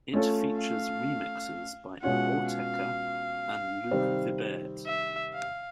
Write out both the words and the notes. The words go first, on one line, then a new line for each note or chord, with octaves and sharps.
It features remixes by Autechre and Luke Vibert.
A3 C#4 F4 A4
F5
B2 G#3 C#4 F4 F#5
F5
C3 D#3 G3 C4
E5
F5